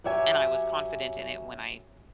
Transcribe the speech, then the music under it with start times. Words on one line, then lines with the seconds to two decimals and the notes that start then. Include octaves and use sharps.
and I was confident in it when I
0.04 F#2 G4 C#5 E5 G#5